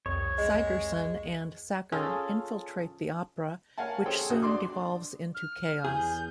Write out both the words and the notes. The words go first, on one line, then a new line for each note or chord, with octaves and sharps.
Sigerson and Sacker infiltrate the opera, which soon devolves into chaos.
C2 F2 C#5 D#6
G#3 D#5
C#4 F4 G#4 A4
A#4 C#5 F5 F#5 G#5 A5
G#4 A4 C5 C#5 G5
A#1 F#4 D#6
D4 D5 C6 D6
F6
E2 G#4 G6